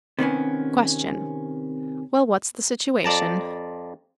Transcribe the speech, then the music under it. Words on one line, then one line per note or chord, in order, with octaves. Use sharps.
Question.--Well--what's the situation?
C3 D#3 B3 C#4
F2 D5 A5 A#5